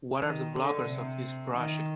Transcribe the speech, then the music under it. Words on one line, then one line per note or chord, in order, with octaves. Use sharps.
What are the blockers of this project?
D#3
D3
C3
D#3